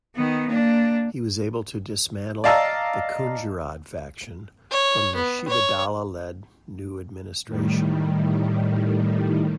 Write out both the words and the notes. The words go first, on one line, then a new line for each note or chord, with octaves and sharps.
He was able to dismantle the Khunggirad faction from the Shidibala-led new administration.
D#3 B3
A#3 D4
D5 D#5 F5 A5 A#5 E6
C#5
B3
C#5
A2 D#3 G3